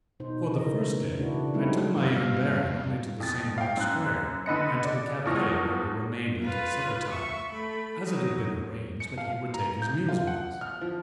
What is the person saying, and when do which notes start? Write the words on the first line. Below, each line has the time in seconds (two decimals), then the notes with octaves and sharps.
For the first day, I took my young baron only to the St. Mark's Square and to the cafe, where we remained until supper-time, as it had been arranged that he would take his meals with us.
0.20 B2 D#4 C5
0.56 C#3 E3 A#4 D#5
1.19 C#3 D4 E4 F#4
1.54 F#3 G3 A3 C4 D#4 E4
1.96 G2 F5
3.20 F2 A6
3.58 F5 G5
3.77 F#2 F#6
4.46 D3 B4 D#5 C#7
4.84 D5
5.25 E2 F3 C#6 F6 A#6
6.43 F4 B4
7.10 E5 C#6
7.52 A3 B5
8.04 F#3 D#4
9.00 C#7
9.18 F5
9.54 A#5
9.82 G6
10.09 F4
10.27 F#5
10.61 F6
10.81 F3